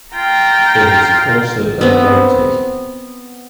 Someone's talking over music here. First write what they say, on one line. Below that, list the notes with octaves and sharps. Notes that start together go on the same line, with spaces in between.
It is coarser than a roti.
F4 G5 A#5
B3 C4